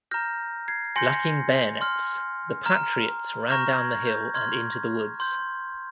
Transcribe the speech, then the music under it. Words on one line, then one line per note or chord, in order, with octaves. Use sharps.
Lacking bayonets, the Patriots ran down the hill and into the woods.
A#5 F6 G6 A#6
G#6 C7
G#5 C6 G6 A#6 C#7
C6 F6
A#5 F6
A#5 C#6 F6 G6 A#6
G#6
G6
C6 F6 G#6
C6 G6